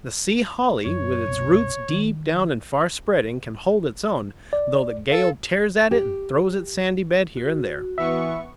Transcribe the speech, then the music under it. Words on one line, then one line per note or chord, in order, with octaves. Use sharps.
The Sea Holly, with its roots deep down and far-spreading, can hold its own, though the gale tears at it and throws its sandy bed here and there.
F#2 C#5
F#1 C2 B2
D#3
D5
A4 F5
G4
F#4
E3 B3 E5 C#6